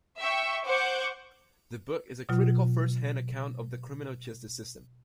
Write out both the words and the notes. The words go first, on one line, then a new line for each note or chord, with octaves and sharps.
The book is a critical first hand account of the criminal justice system.
E5 G5 C#6
C5 F#5 C#6 D6 F#6 G6
B2 F#3 F4